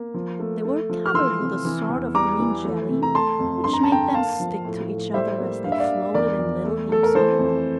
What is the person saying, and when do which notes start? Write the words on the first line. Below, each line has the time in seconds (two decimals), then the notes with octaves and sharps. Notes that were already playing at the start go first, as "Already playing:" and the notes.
They were covered with a sort of green jelly which made them stick to each other as they floated in little heaps on the water.
Already playing: A#3
0.14 F3
0.39 A3
0.64 A3
0.89 F3
1.06 F6
1.14 E3 C6 E6
1.40 C3
1.65 E3
1.90 E2
2.15 G3 A#5 D6
2.40 E3
2.65 A3
2.89 C3
3.03 A#5
3.15 A3 A5 C6
3.40 F2
3.64 G2 C6
3.73 A#5
3.83 A5
3.89 D3 G5 A#5
4.14 A#3 F5 A5
4.40 F3
4.65 A2
4.90 A2
5.14 G3 C5 E5
5.40 A#3
5.64 G2 F5
5.72 E5
5.80 D5 F5
5.89 G2
6.14 E2 A#4 D5
6.39 E2
6.65 A3
6.89 A3 A4
7.03 A#4
7.15 E3 A4 C5
7.39 F2